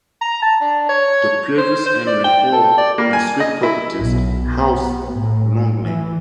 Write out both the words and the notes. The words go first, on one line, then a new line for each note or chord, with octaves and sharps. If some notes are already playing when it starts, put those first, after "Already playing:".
The previous Henry Hall and Sweet properties housed Long Lane.
A#5
A5
D4
C#5
C5
C5
D5
G5
A4
D5
A#3
G#5
D#5
E4
B1
B3
A2
E3